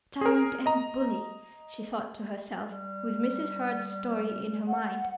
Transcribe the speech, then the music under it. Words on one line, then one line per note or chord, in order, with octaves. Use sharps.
"Tyrant and bully!" she thought to herself with Mrs. Hurd's story in her mind.
G#4 A#4
D#5 A#5
G3
F#5